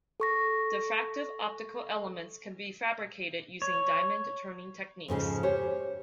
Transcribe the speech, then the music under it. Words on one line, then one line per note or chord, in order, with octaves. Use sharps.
Diffractive optical elements can be fabricated using diamond turning techniques.
A4 C#6 A#6
C#5
F2 G#2 C#3 F3
G4 C5 C#5